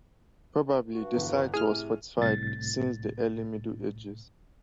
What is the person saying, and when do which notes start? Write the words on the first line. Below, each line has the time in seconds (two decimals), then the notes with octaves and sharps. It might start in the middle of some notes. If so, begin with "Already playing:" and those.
Probably the site was fortified since the Early Middle Ages.
0.93 G2 F#4
1.13 G1 E2 B3
1.54 A2 C3 G#4 F6 D#7
2.18 C2 A2 A6